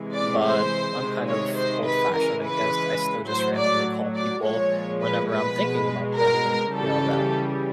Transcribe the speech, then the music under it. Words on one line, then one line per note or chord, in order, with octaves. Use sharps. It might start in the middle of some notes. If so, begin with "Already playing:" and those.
but I'm kind of old-fashioned, I guess. I still just randomly call people whenever I'm thinking about them and, you know, that
Already playing: C3 E3 G#3
D5
C5
C3 D#3 G#3
C#5
C5
B4
C#3 E3 G#3 A#4
B4
A2 F#3 C5
D5
D5
A#2 F3 G#3 C#5
B4
B4
B2 G#3
A#4
C#3 E3 G3 A4